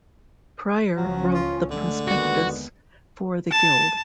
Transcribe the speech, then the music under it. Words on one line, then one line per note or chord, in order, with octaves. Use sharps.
Prior wrote the prospectus for the Guild.
C#2 F3 F#3 C#4
F4
D3 G#3 A3
D#2 G#3 B3 F#4
A5